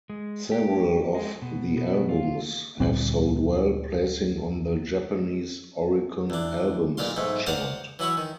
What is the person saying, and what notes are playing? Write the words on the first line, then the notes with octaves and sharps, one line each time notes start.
Several of the albums have sold well, placing on the Japanese Oricon Albums Chart.
G#3
G4
G#3
B2
B2
F4
D2 A#2 G3 C4
E2 D4
B1 A#2 D5 F5 C6
B1 G#2 A3
C5 D5 F5 F#5 A5 A#5
E3 F#3 E4 F#4 C#5
D#3